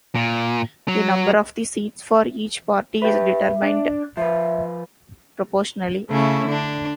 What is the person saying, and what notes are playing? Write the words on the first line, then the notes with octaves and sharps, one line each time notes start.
The number of the seats for each party is determined proportionally.
A#2
F#3
G4 B4 E5
D4
F3 B4 E5
C#3 A3 C#4 E4
D3 D4